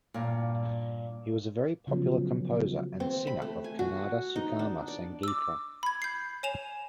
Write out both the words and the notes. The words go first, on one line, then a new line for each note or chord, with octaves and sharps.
He was a very popular composer and singer of Kannada Sugama Sangeetha.
G2 A#2
C#3 F3 F#3 B3 C#4
C4
B5
A3
G#5
F#4
D#4
D4
D5
D6 E6
B5 G#6
G6 C7
C#5 G#5 E7 F7